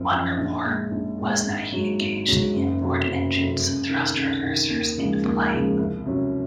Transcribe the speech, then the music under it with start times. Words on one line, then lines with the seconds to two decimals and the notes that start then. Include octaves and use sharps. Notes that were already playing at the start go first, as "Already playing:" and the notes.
One report was that he engaged the inboard engines' thrust-reversers in flight.
Already playing: G#1 F#2 F3 C4
0.10 F#2 F3 C4
0.38 A#1
0.65 A#2 G#3
0.91 A#1
1.18 A#2 G#3
1.45 G#1
1.72 G#2 F#3
2.00 G#1
2.27 G#2 F#3
2.54 F#1
2.81 F2 C3 F#3
3.08 F#1
3.35 F2 C3 F#3
3.62 C#2
3.89 C3 D#3
4.16 C#2
4.43 C3 D#3
4.70 D#2
4.98 C#3 F3 G#3
5.24 D#2
5.51 C#3 F3 G#3
5.79 C2
6.06 C3 F#3 C#4